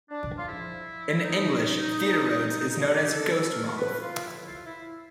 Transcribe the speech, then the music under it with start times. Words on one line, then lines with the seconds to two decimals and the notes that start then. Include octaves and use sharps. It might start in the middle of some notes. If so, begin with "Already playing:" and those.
In English "Thitarodes" is known as "ghost moth".
0.10 D4
0.37 F4
0.48 G#2 F3 E4
1.24 G#2 F3 D#4
2.00 D#2 D3 F3
2.76 D#2 D3 F3 D4
2.95 G4
3.13 A4
3.52 D#2 D3 F3 A#4
3.77 B4
4.03 F4
4.28 D#2 D3 F3 E4
4.46 F4
4.66 E4